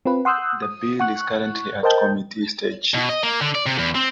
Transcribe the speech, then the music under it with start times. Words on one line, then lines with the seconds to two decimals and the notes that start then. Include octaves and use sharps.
The bill is currently at committee stage.
0.05 C4 F4 B4
0.25 F#5 C6 D#6 E6 F#6 G6
0.62 D#6
1.00 F#5 C#6 F#6
1.83 A#4 C5 D#5 G5 A5 G6
2.94 B2
3.09 D#5
3.23 A#3
3.41 D3
3.55 D5
3.66 C3
3.78 E2
3.95 C4